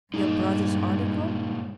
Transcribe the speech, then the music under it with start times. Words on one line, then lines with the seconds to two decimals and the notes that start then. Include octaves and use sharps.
Your brother's article?
0.14 G2 A#2 G#3 D#4